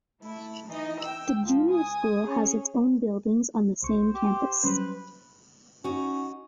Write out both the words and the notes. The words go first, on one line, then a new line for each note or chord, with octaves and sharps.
The Junior School has its own buildings on the same campus.
A3 E4
E3 D#4 D#5
G5 E6
C#2 F3
G#5 D#6
C#4 G#4
C2 C5 C#6
G4
F#3 G3 C#4 B4
C#4 D#4 F#4